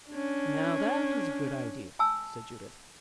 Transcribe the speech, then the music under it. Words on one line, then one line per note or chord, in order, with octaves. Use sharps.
"Now that is a good idea," said Judith.
C#4 D4
G#5 A5 E6